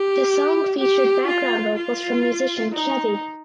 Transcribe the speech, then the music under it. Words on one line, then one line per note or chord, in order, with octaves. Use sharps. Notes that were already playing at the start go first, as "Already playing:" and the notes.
The song featured background vocals from musician Chevy.
Already playing: G4
G4
F4
F4
D#4